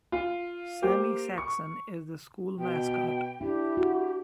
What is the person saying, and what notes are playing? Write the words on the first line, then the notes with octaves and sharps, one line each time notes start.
Sammy Saxon is the school mascot.
F4
A#3 G4 C5
C#6
B2 G5
D4 E4 G4
F#4